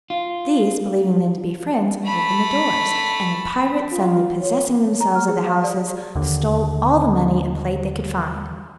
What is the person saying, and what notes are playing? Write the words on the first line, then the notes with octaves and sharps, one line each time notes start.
These, believing them to be friends, opened the doors; and the pirates, suddenly possessing themselves of the houses, stole all the money and plate they could find.
F4
A3 B5
F4
C#5
A#5
F6
G#4
F5
D5
D#2 D3